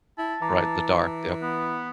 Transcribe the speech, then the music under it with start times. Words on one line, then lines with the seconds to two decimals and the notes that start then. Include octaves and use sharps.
Right, the Daughter Yup.
0.19 E4 A5
0.42 E3 A#5 D6
1.42 B3